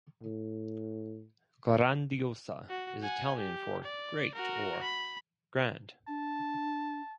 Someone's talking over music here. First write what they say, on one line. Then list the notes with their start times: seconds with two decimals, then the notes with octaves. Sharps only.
"Grandiosa" is Italian for "great" or "grand".
0.23 A2
2.69 F#4
3.02 F#5 G#5
3.35 G4
3.84 D5
4.35 F#4 A#4
4.83 B5
6.08 D4 A5